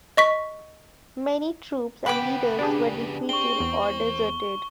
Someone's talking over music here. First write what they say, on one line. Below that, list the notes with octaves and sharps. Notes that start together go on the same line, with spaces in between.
Many troops and leaders were defeated or deserted.
D#5 C#6 B6
C#3 B3 B4 G5 D6
D4 G4 G#4
C4 C#6 G7
E2